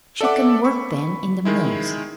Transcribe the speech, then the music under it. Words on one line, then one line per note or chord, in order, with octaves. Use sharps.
"She can work then--in the mills."
A4 D5 E5 F#5 D6
B5 C#6
D#3 G#3 E4